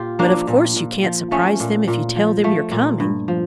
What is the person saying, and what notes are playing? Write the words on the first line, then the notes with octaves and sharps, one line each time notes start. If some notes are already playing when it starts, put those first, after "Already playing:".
But of course you can't surprise them if you tell them you're coming.
Already playing: A#2 F4 G4
F3 A#3 D4
A#2
A#2
F3
F3 A3 C#4
A#2
A#2
F3
F3 A3
A#2
G2
F3